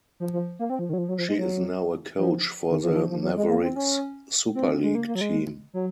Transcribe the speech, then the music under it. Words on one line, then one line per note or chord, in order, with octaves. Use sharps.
She is now a coach for the Mavericks Superleague team.
F3
F3
A#3
C4
F3
D#3
F#3
F3
F#3
F3
G#3
F#3
F3
D#3
F3
D#3
F3
F3
F#3
G#3
A#3
C4
C#4
C4
G#3
A#3
A#3
F#3
G#3
F#3